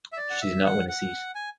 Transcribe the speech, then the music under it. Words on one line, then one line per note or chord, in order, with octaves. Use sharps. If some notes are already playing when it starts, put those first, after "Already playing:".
She did not win a seat.
E5
D5
F#5
E5
F#5
F#5
G#5